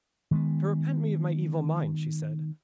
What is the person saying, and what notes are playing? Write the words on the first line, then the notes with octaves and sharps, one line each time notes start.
'To repent me of my evil mind,' she said.
D#3 G#3 B3